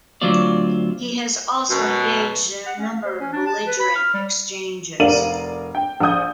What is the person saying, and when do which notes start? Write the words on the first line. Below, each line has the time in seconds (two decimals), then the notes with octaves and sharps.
He has also engaged in a number of belligerent exchanges.
0.21 D2 F#3 C4 F4 D5
1.70 F#2 B2
2.66 F#5
2.79 C#4
2.92 F5
3.05 C5
3.20 C#4
3.33 D4
3.46 A5
3.67 B4
3.80 B5
3.96 F6
4.14 G3
5.00 F1 A#4 D5 F5 D#7 F#7
5.75 G5
6.00 A#1 F#5 D#6 G6